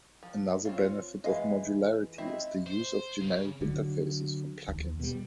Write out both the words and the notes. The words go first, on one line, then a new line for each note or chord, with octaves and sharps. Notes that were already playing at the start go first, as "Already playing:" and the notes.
Another benefit of modularity is the use of generic interfaces for plug-ins.
F3
C4 C#4 F4
E3 G#3 D#5 F5
C4 D#4 E4 E5
C5
C#3
D3 F#3
D#2
B2 G3